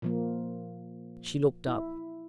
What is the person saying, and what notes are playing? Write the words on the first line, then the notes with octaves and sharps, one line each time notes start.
She looked up.
A#2 F3 A#3
E4